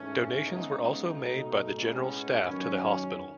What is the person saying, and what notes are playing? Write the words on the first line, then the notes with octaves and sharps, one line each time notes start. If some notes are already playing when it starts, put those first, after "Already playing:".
Donations were also made by the General Staff to the hospital.
Already playing: G#2 E3 A3 C#4
C#3 G#3 B3 D#4
B2 A3
A2 G#3 B3 C#4
F#2 D#3 F#3 C#4